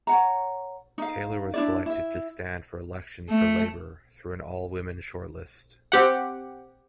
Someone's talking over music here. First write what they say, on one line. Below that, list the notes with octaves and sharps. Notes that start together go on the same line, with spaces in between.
Taylor was selected to stand for election for Labour through an all-women shortlist.
C#5 F#5 A#5
D#4 F5
D4 E4 D5
E4 E5
A3
C4 G4 F#5